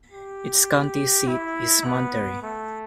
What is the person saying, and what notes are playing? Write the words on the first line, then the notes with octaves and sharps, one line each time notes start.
Its county seat is Monterey.
G4
E4
B3
A3